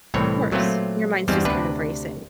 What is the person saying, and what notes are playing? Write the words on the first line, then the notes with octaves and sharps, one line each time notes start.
Of course, your mind's just kind of racing.
C2 A2 E3 C4 C#5
A#2 F#3 A3 B3 C4 F4
E2 G2 G3 G#3 B3 C4
D2 C3 D4 G4 B4